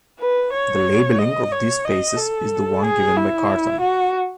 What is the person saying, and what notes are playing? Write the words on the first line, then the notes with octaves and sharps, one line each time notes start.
The labelling of these spaces is the one given by Cartan.
B4
C#5
D#5
C#5
D#5
A4
G#4
E4
F#4